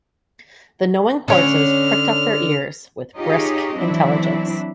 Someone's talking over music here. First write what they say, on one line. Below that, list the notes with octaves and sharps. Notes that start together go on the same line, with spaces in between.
The knowing horses pricked up their ears with brisk intelligence.
D3 C#4 F6
D#4 F4 G4 G#4 C#5 D#5
E3 F#3 C4 D4 E4